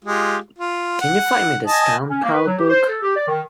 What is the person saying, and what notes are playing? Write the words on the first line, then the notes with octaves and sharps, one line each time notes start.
Can you find me the Stand Proud book?
G#3 F4 G4
F4
F#5
D#5 G#5 A5
C#4
A#3
B4
F#3
G4
C5
A4
G4
D5
D#3